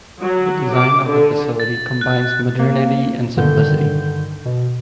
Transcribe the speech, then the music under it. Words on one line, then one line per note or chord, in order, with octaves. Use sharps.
The design of the facility combines modernity and simplicity.
F#3
D6
D3
A6
F#6
A#3
G2 D3 D#3 G6
B2